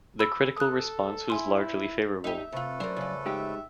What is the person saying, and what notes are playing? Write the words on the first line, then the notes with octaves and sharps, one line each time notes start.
The critical response was largely favourable.
B5 E6
A4 D#6 F#6
E4 G#5 C6
D#4 G4 E5
C3 A3 F4 A4 B4
F#2 A#4 C5 D5
F2 C#3
G#3 D#4 G4 E5